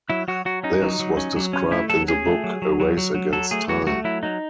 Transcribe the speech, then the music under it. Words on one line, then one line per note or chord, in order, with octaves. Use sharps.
This was described in the book "A Race Against Time".
F#3 E4
F#3 F#4
F#3 F#4
C#4 D#4
F#3
F#3
C#4
F#3
C#4
A3 E4
F#3 A4
C#4 G#4
A3
F#3
F#3
F#3
F#3
F#3
F#3 A4
A3 G#4
F#3 F#4
A3 F#4
F#3 E4
F#3 D#4